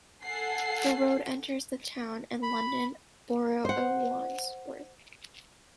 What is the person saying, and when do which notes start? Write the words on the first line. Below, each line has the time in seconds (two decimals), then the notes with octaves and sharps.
The road enters the town and London borough of Wandsworth.
0.24 A4 F#5 G#5 C7
2.43 B5
3.65 C5 F#5